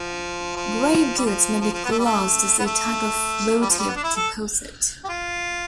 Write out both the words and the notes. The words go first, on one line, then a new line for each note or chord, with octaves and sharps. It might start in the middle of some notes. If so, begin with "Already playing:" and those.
Grave goods may be classed as a type of votive deposit.
Already playing: F3
F3
G3
F3
F3
F3
B3
A3
G3
A3
B3
A3
G3
F3
G3
B3
D4
E4
A4
G4
F4